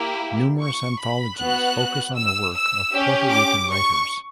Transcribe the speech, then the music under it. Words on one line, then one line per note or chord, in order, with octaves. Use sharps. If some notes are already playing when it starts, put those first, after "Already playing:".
Numerous anthologies focus on the work of Puerto Rican writers.
Already playing: A#3 E4 G4
C#6
B5
B3 F#4 F#6
E6
E6
C#4 G4
D6
C#6